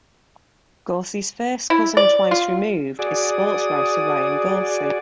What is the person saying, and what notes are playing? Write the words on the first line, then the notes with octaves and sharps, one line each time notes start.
Gorcey's first cousin, twice removed, is sports writer Ryan Gorcey.
E4
D5
F4
F#4 G#4 D5 D#6